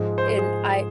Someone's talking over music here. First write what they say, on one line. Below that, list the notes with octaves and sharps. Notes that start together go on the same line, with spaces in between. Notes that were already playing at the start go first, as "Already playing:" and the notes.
and I
Already playing: G#2 F3 G#3
C5
C5
G#4